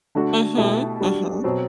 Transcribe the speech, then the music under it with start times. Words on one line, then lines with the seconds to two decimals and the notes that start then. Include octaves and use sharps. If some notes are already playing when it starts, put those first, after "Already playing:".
Mhm, mhm.
0.15 D3 A3 D4 F#4
0.57 B2 A3 E4 G4
1.01 G3 D4 F#4
1.44 B2 F#3 C4